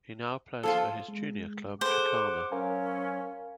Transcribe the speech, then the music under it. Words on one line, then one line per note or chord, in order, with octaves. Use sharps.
He now plays for his junior club, Jacana.
F3 F4 G#4 A4
G#3
G#4 A4 C5 F#5 D6
F#3 C#4 A#4 F5 G#5